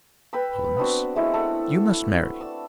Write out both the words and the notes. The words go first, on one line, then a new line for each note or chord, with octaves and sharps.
Collins, you must marry.
B4 G5 B5 E6
B3 C4 D4 F#4
G#3 A3 E4
A4 F#5
D5 E6